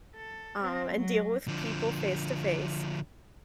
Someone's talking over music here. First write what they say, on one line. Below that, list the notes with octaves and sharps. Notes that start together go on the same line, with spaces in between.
um, and deal with people face to face.
A4
C4
F#3
D3 F3